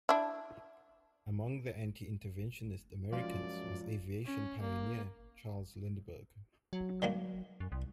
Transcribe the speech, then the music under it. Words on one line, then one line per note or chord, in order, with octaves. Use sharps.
Among the anti-interventionist Americans was aviation pioneer Charles Lindbergh.
D4 E4
F#2 F3 G#3 F4 D5
C#4
A#3
F#3
D3 D#3 A#3
F#2
C2